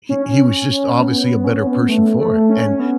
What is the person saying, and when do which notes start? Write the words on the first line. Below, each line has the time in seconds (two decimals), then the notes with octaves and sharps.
he he was just obviously a better person for it. And
0.09 C#4
0.99 B3
1.22 B3
1.44 C#4
1.67 B3
1.88 A3
2.19 A3
2.50 C#4
2.80 B3